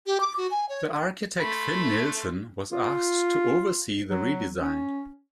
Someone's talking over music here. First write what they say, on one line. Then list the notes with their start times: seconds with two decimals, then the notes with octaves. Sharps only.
The architect Finn Nilsson was asked to oversee the redesign.
0.06 G4
0.20 D6
0.38 F#4
0.51 G#5
0.69 C#5
1.40 A3 B5 C6
2.72 F4
4.10 F#3
4.59 C#4